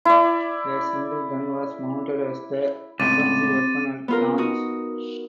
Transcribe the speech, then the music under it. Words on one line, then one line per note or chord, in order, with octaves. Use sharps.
A single gun was mounted as the offensive weapon at launch.
E4 D5
C#2 A2 C4 D6 A6 D#7
B3 F4 A#4
D#4 F#4